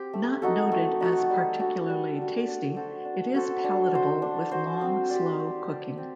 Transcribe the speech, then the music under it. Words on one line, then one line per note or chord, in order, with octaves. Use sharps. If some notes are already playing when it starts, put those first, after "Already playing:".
Not noted as particularly tasty, it is palatable with long, slow cooking.
Already playing: C4 G4
A3
D#4 F#4 A4
A3
D#4 F#4 A4
G3
D4 F#4
G3
D4 F#4
D4
F#4 A4 C5
D4
F#4 A4 C5
D4
F#4 C5
D4
F#4 C5
C4
G4 D5
C4
G4 D5
C4